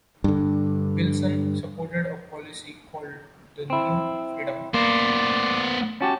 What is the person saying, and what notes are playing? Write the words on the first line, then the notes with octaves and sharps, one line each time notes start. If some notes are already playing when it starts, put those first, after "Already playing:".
Wilson supported a policy called "The New Freedom".
G2 D3
C4 E4
A#3 B3 C5 D5
C#4 F#4 G4 A5